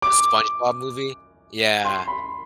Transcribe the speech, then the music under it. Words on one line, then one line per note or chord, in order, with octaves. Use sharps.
The SpongeBob movie? Yeah.
D6
C6
B5